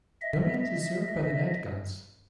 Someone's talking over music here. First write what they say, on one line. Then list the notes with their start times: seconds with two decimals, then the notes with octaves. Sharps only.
Nodens is served by the Nightgaunts.
0.21 D#5 E5